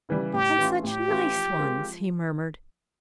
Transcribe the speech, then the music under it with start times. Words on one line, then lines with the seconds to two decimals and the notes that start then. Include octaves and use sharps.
"And such nice ones," he murmured.
0.09 C#3 E3 G3
0.33 A2 G4
0.58 E3 A3 C#4 F4
0.84 A2 G4
1.08 E3 A3 C#4 F4
1.34 F3
1.58 G#3 C4 F4 A#4
1.83 F3